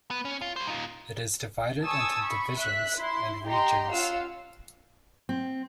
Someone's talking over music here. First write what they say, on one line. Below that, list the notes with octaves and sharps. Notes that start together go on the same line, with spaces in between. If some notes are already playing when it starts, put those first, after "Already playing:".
It is divided into divisions and regions.
B3
C#4
F4
G3 C5
D#4 F4
G#5 A5 C#6 D#6 E6 A6
B5 C#6
E5 F#6 B6
E4 C6
G4 D#5 G5 A#5 C6
C#4 F4 F5 F#5 E6
C4